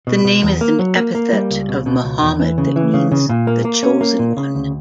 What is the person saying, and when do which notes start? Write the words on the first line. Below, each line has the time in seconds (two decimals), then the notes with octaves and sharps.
The name is an epithet of Muhammad that means, "The Chosen One".
0.07 B2
0.25 B2
0.43 E2
0.61 A#3
0.79 F#3
0.96 A#3
1.15 A#3
1.33 G3
1.51 C#2
1.69 B2
1.86 B2
2.04 C#2
2.21 E2
2.40 E3
2.58 C#3
2.76 E3
2.94 C#3
3.12 C#3
3.29 A#2
3.47 A#3
3.65 A#3
3.83 C#4
4.01 A#3
4.19 A#2
4.37 C#3
4.55 D2